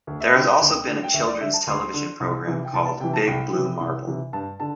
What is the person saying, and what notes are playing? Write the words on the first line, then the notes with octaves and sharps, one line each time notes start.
There has also been a children's television program called "Big Blue Marble".
D2
E5
D3 G5
G5
D2
D3
G5
D2 E5
D5
D3 E5
A5
D2 C6
D3
C2
C3 E3
G5
C2 A5
A5
C3 E3 G5
A5
C2 G5
C3 E3
C2
C3 E3
G2 A5
D3 A5